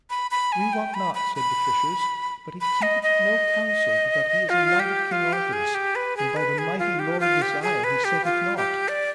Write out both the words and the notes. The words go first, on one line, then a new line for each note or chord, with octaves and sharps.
We wot not, said the fishers, but he keepeth it no counsel but that he is a knight of King Arthur's, and by the mighty lord of this isle he setteth nought.
B5
B5
G#5
G5
B5
B5
B5
B5
D#5
D#5
F4
G4
F4
G4
G#4
G4
B4
G#4
B4
G#4
F4
G4
F4
G4
G#4
B4
G4
F4
G4
D5